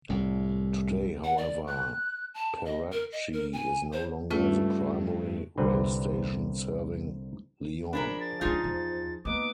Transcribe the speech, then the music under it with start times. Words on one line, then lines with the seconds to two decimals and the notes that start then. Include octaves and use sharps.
Today, however, Perrache is no longer the primary rail station serving Lyon.
0.09 C2 A2
1.24 F#5
1.38 D5
1.67 F#6
2.34 A5
2.65 D#5
2.92 A#4
3.12 D#5
3.33 A#4
3.53 G#5
3.92 C5
4.31 G2 A3 C#4 F4 B4
5.58 C2 D3 C4 B4
7.93 F3 D4 G#4 A#4 B5
8.20 A6
8.41 D3 D4 D#4 F4 G#4
8.64 E2
9.25 A#3 B3 D#4 B4 D6 D#6